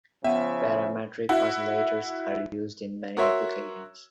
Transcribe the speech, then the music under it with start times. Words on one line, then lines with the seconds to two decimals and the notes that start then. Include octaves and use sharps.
Parametric oscillators are used in many applications.
0.24 C#3 F3 B3 E5 F#5
1.29 E4 F#4
3.17 F#4 A#4 C#5 E5 C6 E6